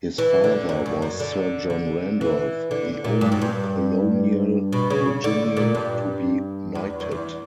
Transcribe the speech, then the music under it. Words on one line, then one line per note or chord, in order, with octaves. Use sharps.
His father was Sir John Randolph, the only colonial Virginian to be knighted.
E3
D3
F#2
F#2
F#2
D3
D3
E3
D3
A#2
G2
F#2
G2
B2
C#3
D3
A#2
G2
E2
F#2
E2